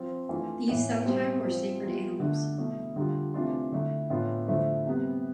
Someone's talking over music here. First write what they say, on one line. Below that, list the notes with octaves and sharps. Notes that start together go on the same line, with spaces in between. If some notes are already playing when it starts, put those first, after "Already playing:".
These sometimes were sacred animals.
Already playing: F3 C4 F4
E3 A3 D4 F4
A2 E3 B3
B2 G3 C4
F3 C4 F4
E3 G3 B3 F4
D3 A3 D4
B2 A3 E4
D3 G3 D4 F4
C3 E3 A3 D4 F4
D3 A3 E4
A2 E3 B3 D4 F4
D3 F3 A3 E4
C3 G3 B3